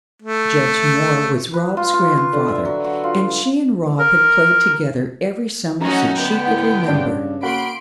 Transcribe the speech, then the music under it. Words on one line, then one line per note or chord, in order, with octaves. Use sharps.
Judge Moore was Rob's grandfather, and she and Rob had played together every summer since she could remember.
A3
B4
F4
F4
C#6
D3
E5
F#3
F#4
F4
A#4
F#2 A3 C#4 D#4 F#4 A#5
D3 B3 G5
A2
G2 C#3 D4
A#3 C4 F#4 A#4 B5 C6 D7